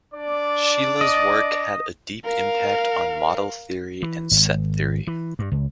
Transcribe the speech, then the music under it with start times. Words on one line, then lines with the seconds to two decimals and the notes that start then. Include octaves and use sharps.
Shelah's work has had a deep impact on model theory and set theory.
0.13 D4 D5
1.01 D#5
2.25 A#4 F5
4.03 E3
4.31 G#1
5.07 E3
5.39 G2
5.52 C#2